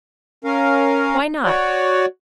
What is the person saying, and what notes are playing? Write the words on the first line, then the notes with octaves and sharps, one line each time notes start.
"Why not?"
C#4 A#4 F5
F#4 C#5 D5